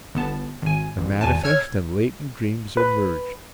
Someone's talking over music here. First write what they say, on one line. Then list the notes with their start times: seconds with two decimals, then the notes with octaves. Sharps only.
The manifest and latent dreams are merged.
0.15 G1 B3 A5
0.62 G#1 G#5
0.98 A1
1.21 G#1 E2 G#5 A5
1.43 C#5 E6 F6 G#6
2.77 B4